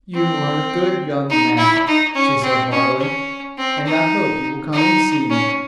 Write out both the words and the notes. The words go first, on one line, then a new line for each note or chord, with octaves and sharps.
"You are a good young man," she said heartily. "And I hope you will come and see me."
C4
D#4
E4
D#4
C#4
C4
C#4
C#4
C4
D#4
D#4
C#4